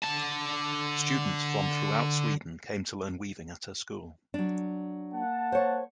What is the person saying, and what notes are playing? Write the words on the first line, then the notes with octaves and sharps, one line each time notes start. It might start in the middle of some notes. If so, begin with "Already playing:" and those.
Students from throughout Sweden came to learn weaving at her school.
D3 A5
F#3 D4
A#3 F#5 A5
C5 C#5